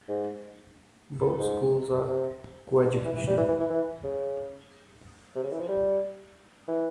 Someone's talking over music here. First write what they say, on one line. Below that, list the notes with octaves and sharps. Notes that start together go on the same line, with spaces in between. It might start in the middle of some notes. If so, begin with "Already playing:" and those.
Both schools are coeducational.
G#2
G#2
C3
G#2
G2
E3
E3
G3
E3
E3
E3
E3
C#3
C3
C#3
E3
F3
G3
E3